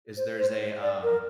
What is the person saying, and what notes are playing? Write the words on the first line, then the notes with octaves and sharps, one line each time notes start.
is there's a, um,
C5
C5
D5
A#4